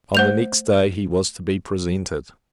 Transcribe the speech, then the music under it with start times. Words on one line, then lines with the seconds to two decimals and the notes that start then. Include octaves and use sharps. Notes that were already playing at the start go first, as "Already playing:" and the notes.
On the next day, he was to be presented.
0.15 A3 C5 F#5 G6 F7